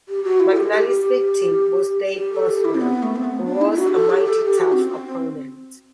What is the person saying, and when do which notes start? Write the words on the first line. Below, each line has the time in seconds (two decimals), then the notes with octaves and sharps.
McNally's victim was Dave Boswell, who was a mighty tough opponent.
0.08 G4
0.24 F#4
0.40 E4
0.51 A4
0.57 G4
0.73 G4
0.89 G4
2.17 G4
2.33 A4
2.49 G4
2.65 E4
2.75 C4
2.81 B3
3.03 A3
3.16 C4
3.24 B3
3.45 D4
3.61 E4
3.72 E4
3.78 F#4
3.88 G4
3.94 A4
4.10 G4
4.26 A4
4.42 G4
4.58 F#4
4.74 C4